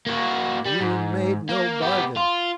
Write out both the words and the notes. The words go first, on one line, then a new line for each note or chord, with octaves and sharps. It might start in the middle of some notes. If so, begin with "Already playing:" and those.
"You made no bargain."
A#3 F#4
G3
G#2
A#3
B3 G4
F4